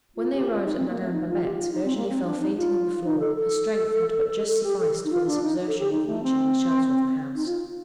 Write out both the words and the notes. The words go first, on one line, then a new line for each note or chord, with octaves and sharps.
When they arrived at Madame Babette's, Virginie fell fainting on the floor; her strength had but just sufficed for this exertion of reaching the shelter of the house.
F4
G4
F4
D#4
C4
A#3
A3
D#4
F4
G4
F4
D#4
C4
A#3
C4
D4
D#4
F4
D#4
A4
A4
A4
G4
A4
D#4
F4
D4
D#4
A4
G4
D#4
A3
C4
D#4
F4